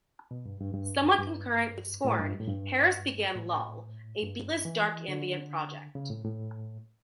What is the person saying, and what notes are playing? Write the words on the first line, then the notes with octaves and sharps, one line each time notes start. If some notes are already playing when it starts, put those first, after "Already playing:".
Somewhat concurrent with Scorn, Harris began Lull, a beatless dark ambient project.
B2
G2
G2
G2
G2
A2
G2
A2
G2
A2
G2
E3
D3
C#3
A2
A2